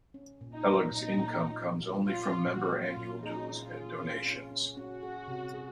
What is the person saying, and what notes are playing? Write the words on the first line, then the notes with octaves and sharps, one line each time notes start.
Hellug's income comes only from member annual dues and donations.
C#4
A#2
D#4
F#3
A#2 D#4
A#2
A#2
F#3
F#3
F4
F#3
A#2 F#4
F#3
F4
A#2
D#4 G#4
C#4
F4
G#4
C#4
C#4
C#4
C#4 F#4
G#4
C3
G#4